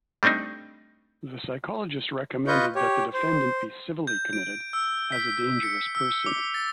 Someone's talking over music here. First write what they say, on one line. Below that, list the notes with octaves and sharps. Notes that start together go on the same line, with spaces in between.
The psychologist recommended that the defendant be civilly committed as a dangerous person.
G3 A3 C4 D4 D#4
F4 B4 D#5 C#6 G6
G4 C#5
C5
G6
D7
E6
B6
C#7
E6
D6
A6